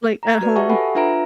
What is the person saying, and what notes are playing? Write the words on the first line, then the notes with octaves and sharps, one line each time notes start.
Like, at home.
A#5 G#6
F#4 B4 D5
G4 E5 F#5 A5 C#6
A4 F#5 G#5 B5
D4 F4 B4 E5 A#5 D7